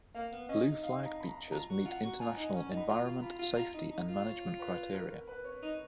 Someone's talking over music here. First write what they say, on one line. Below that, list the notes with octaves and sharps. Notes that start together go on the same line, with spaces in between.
Blue flag beaches meet international Environment, Safety and Management criteria.
A#3 F5
B3
C#4 D#5
D#4
F5
A#5
B5
A#5
F4 A#5
F#4
F4 F#5
F#4
F4 G#5
A#5
D#4 G#5
C#4
D#4
B5
F4 A#5
F4
F4 B5
F4
F4 A#5
D#4
D#4 A#5
F4
C#5
B4
A#4
B4
C#5
D#4